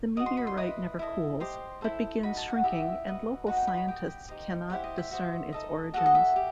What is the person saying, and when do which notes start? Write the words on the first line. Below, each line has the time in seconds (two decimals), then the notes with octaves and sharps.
The meteorite never cools, but begins shrinking and local scientists cannot discern its origins.
0.17 F#4 A4 D#5 D#6
0.26 C6
0.37 B5
0.47 C6
0.57 E4 B4 D#5 D#6
0.99 E4 A4 D#5
1.40 G4 C5 D#5 C6
1.81 E4 A4 C5
2.23 D#4 F#4 B5
2.37 A5
2.50 F#5
2.64 E4 G4 D#5 E5
3.05 F#4 B4 D#5
3.46 D#4 F#4 B4 D#5 F#5
3.57 G5
3.67 B5
3.77 B5
3.88 G4 D#5 G5
4.29 D#4 G4 C5 D#5
4.70 E4 G4 C5 F#5
4.84 D#5
4.98 E5
5.11 F#4 C5 D#5
5.53 D#4 A4 D#5
5.94 F#4 A4 D#5 F#5
6.06 D#5
6.15 E5
6.36 G4